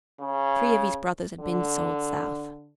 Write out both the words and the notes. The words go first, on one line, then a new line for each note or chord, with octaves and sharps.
Three of his brothers had been sold South.
C#3
D3